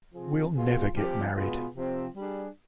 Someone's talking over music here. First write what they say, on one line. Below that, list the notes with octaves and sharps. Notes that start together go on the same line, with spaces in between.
We'll never get married.
C3 F3 C4 F4 G#4
B2 B3 F4 G#4
F3 C4 G4
B2 G#3 B3 F4 G#4
C3 F3 C4
G3 D4 G#4